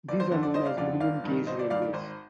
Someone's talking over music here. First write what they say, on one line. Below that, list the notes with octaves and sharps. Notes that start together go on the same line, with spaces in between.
These are known as minimum gauge railways.
G1 D5
C5
F2 D3 C5
D5
G1 C5 D#5
D5 F5
F2 D3 D5 F5
G1 D5 F5
G2 D#3
G1 C5 D#5
D5
G2 D#3 D5 F5
D5
G#1 C5